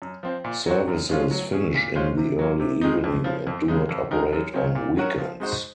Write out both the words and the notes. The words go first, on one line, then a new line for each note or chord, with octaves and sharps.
Services finish in the early evening and do not operate on weekends.
F#2
F3 C4
A#2
F#3 C4 F#4
F#2
F3 G#3 C#4 F4
F#3
C#4 G#4 C#5
A#2
G#3 C#4 F4 C5
C3
F#3 A#3
C3
D#3 G#3 D#4
F2
C#3 F3
F2
C#3 G#3 D#4
F2
D#3 G#3 D#4 A#4
F#2
C#3 F#3 C4
A#2
F#3 C#4 F#4 A#4
F3
G#3 D#4 F#4 C5